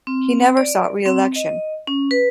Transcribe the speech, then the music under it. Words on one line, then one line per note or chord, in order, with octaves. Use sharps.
He never sought re-election.
C4
D5
C4
D#5
C#4
B4